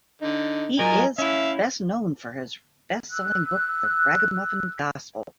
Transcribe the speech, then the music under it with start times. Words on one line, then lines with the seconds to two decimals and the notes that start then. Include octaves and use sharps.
He is best known for his bestselling book "The Ragamuffin Gospel".
0.22 D3 D#4
0.79 F#3 F4 A#4 D#5 G#5 A#5
1.18 C#4 E4 E5 F5
3.11 E6 F#6